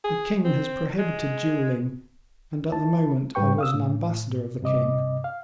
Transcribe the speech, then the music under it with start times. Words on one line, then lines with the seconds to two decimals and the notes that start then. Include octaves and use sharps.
"The king has prohibited duelling, and, at the moment, I was an ambassador of the king."
0.04 G#4
0.45 C4
0.99 G#3
2.72 E4 A5
3.35 G#2 G3 B4 G5 C#6
3.58 F5 D#6 E6
3.74 A2
4.62 G2 C3 D#5 D6
5.24 F5